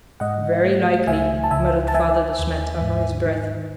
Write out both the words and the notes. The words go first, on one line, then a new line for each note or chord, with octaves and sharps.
"Very likely," muttered Father De Smet under his breath.
G#2 D#5 F#5
A3
C#2 E5 G#5
A5
C#2 E5 G#5
A5
D#3 E5 G#5
D#2
G#2
D#3